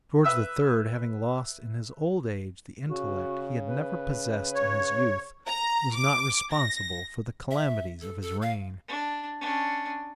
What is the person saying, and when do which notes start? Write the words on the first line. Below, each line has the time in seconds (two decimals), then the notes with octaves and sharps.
George III., having lost in his old age the intellect he had never possessed in his youth, was not responsible for the calamities of his reign.
0.24 B4 E5 E6
2.88 C#3 F#4
3.67 B4
4.55 C#5
5.46 A#5
5.94 D6
6.52 A#6
7.51 E5
8.01 A4
8.22 A4
8.42 F5
8.88 D4
9.41 C#4 D4